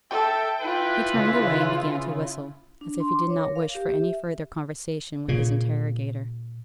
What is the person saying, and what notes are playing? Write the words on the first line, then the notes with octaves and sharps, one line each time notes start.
He turned away, and began to whistle, as if he did not wish for any further conversation with his interrogator.
A4 E5 G5
E3 E4 F4 B4
C#3
D4
C6
D6
C#5
A#4
F5
G4
E5
A#2 C#3